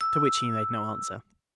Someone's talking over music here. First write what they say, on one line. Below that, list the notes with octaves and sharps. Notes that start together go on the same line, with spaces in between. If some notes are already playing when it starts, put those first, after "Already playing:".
To which he made no answer.
E6